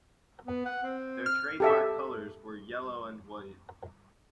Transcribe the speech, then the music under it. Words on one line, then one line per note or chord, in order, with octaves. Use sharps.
Their trademark colors were yellow and white.
B3
F#5
C4
F6
G4 A4 E5